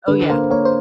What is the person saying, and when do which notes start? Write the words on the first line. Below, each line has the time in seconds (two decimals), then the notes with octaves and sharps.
Oh, yeah.
0.08 D3 B4
0.29 A#3 C5
0.50 A#3 C#5
0.65 C5